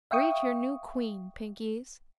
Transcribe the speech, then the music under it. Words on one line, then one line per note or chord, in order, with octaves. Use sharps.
"Greet your new Queen, Pinkies!"
E5 F5 G5 C#6 D#6